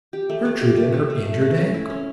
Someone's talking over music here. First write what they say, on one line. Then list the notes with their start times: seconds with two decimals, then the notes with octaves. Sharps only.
Gertrude and her injured ankle!
0.13 G4
0.30 A3
0.45 A3
0.61 G4
0.77 A3
0.93 A3
1.10 A3
1.25 A3
1.41 A3
1.58 C#4
1.74 E4
1.90 C#4